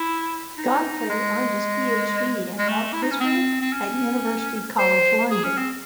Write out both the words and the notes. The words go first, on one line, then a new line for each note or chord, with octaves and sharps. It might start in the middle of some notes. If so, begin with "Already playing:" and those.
Godfrey earned his PhD in art history at University College London.
Already playing: E4
D#4
G#3
G#3
A3
E4
D#4
C#4
C4
C4
C#4
C5
G#4
C#4
C4